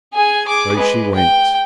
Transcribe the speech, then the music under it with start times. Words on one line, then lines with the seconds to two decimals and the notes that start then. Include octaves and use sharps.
So she went.
0.13 G#4 G#5
0.46 G#4 D6
0.76 G#3 B4
1.15 G5